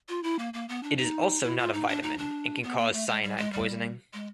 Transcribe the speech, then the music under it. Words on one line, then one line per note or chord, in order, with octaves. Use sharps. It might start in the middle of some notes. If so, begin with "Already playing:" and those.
It is also not a vitamin, and can cause cyanide poisoning.
F4
E4
A#3
A#3
B3
D4
D#4
E4
F4
D#4
D4
D#4
D4
B3
A#3
A3
G#3
G3
G#3
G3
G#3